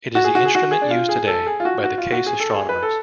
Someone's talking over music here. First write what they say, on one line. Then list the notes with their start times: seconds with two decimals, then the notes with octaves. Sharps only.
It is the instrument used today by the Case astronomers.
0.15 F#4
0.24 G#4
0.35 F#4
0.45 G#4
0.55 F#4
0.71 G#4
0.82 D4
0.91 F4
1.09 G#4
1.27 A4
1.46 G#4
1.60 F4
1.65 F#4
1.84 F#4
1.98 F4
2.12 F#4
2.26 G#4
2.40 A4
2.55 G#4
2.69 B4
2.83 A4